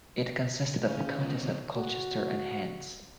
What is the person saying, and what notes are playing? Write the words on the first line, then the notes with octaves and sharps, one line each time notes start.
It consisted of the counties of Colchester and Hants.
C#3 C#4
C#2 D#3 B3 C5
G#1
F#4